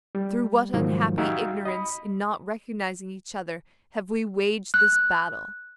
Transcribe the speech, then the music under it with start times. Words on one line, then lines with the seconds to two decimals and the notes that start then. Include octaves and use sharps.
Through what unhappy ignorance in not recognising each other have we waged this battle!
0.15 G3
0.74 G#2 D#3 F3 F#3
1.18 D#4 F#4 G4 E5 F5 G5
1.65 D#5 B5
4.74 F#6